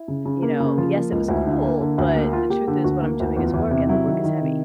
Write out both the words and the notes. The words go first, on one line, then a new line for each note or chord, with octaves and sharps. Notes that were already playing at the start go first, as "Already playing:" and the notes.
you know, "Yes, it was cool, but the truth is what I'm doing is work, and the work is heavy."
Already playing: E4
C#3
C#3
A#3
C#3
F3 F4
A#3
C#2
D2 E4
D3
A#3
D3
D2
A#3
A#3 F4
A#3 G4
D3 G4
D2 F#4
A#3
D2
E2 F4
E2 E4
C3 E4
F#3 E4
D#3
D#3
C3